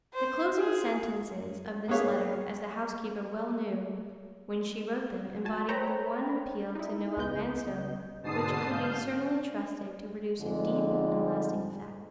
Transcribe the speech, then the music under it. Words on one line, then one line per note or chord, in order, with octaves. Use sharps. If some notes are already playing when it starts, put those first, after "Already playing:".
The closing sentences of this letter--as the housekeeper well knew when she wrote them--embodied the one appeal to Noel Vanstone which could be certainly trusted to produce a deep and lasting effect.
C5
G#4
A#3 B3 G#4 C#5 F5
F#4 G#5 A5
A#4 C5 C#5 G5 A#5 B5
D#4 E4
C#2 C#3 B3 D#5 G6
G#2 B2 D3 A5 D#6 C7
F5 G6
F2 G#2 D3 G#3